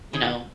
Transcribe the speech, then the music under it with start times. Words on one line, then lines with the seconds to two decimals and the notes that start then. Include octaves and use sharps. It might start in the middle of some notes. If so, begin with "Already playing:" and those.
you know,
0.13 D#3 G#4